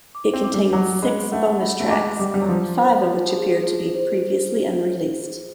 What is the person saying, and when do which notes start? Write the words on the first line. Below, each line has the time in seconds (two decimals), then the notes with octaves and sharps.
It contains six bonus tracks, five of which appear to be "previously unreleased".
0.15 D6
0.33 C4
0.44 D6
0.54 G3
0.73 F#3 D6
1.02 G#3 B5
1.32 A3 F#5
1.61 B5
1.80 A3
1.90 G#3 D6
2.19 G3 D6
2.34 G3
2.42 F#3
2.49 F3 F4
2.78 C5
3.07 F4
3.37 G#4
3.66 F4
3.96 C5